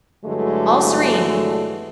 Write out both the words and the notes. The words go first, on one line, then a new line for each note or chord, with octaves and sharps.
All serene.
G2 D3 E3 F#3 G#3 A3